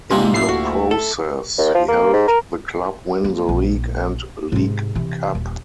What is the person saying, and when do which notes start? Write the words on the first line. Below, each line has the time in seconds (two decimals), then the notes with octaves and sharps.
In the process he helped the club win the League and League Cup.
0.11 G#2 C3 F3 G3 G#3 A#3 C6
0.33 A2 A3 E4 C7
0.49 D2 F#4
0.91 A4
1.58 D#2
1.75 F3
1.88 A#3
2.13 G#2
2.27 A#4
3.24 A#3
3.49 A#1
4.52 G#2 C3
4.95 C3 E3
5.35 D#1